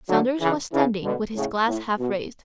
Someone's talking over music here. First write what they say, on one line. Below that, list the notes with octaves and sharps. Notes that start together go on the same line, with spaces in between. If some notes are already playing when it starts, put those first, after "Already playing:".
Saunders was standing with his glass half raised.
D3 F#3
C#3 E3
C#3 E3
B2 D3
A2 C#3
A2
B2